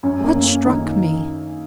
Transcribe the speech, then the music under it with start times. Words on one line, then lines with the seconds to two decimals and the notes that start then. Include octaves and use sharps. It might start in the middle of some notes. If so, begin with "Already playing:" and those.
What struck me?
0.03 F#2 C#4
0.24 A#3
0.34 F#2
0.44 C#4
0.65 D#3 D#4